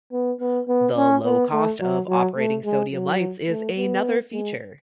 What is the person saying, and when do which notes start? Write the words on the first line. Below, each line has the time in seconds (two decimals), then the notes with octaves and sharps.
The low cost of operating sodium lights is another feature.
0.12 B3
0.41 B3
0.68 B3
0.97 C#4
1.25 B3
1.53 A3
1.81 F#3
2.08 F#3
2.37 A3
2.65 G#3
2.93 F#3
3.49 A3
3.77 B3
4.33 G#3